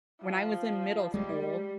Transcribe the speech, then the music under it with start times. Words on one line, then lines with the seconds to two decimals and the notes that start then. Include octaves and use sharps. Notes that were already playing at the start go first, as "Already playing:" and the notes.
When I was in middle school
0.22 F3
1.14 G3 G#3